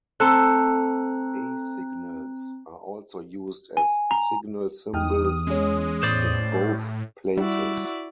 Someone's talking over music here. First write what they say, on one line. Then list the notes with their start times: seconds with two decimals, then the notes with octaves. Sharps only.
Day signals are also used as signal symbols in both places.
0.20 A3 C4 A4 C5 A#5 F#6
3.77 G#5
4.11 A#5
4.93 E2 D#4 G5 D#6 F6
5.47 G#3 C#4 G#4 C#5
6.03 A2 C5 D5
7.37 G3 E4 F#4 D5